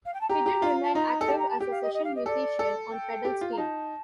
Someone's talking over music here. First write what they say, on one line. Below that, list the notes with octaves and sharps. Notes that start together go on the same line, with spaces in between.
He did remain active as a session musician on pedal steel.
F5
G5
A5
G4 A#5
G4
F4
A5
D#4 A#5
A4
G4 A5
A#5
A5
G4 G5
F5
D#5
D#5
F5
D#5
A4 D5
A4
G5
G4
F4
A#5
D#4 A5